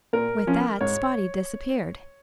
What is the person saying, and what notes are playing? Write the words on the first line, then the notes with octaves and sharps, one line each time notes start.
With that Spotty disappeared.
A#2 A#4
F3 C#4
G#2 C#5